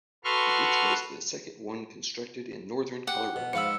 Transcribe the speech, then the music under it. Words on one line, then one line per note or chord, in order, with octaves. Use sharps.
The ditch was the second one constructed in northern Colorado.
F#4 A4 B4 C6 C#6 F6
G4 F#5
B2
G#2 F3 B4 F5 B5 E6 C#7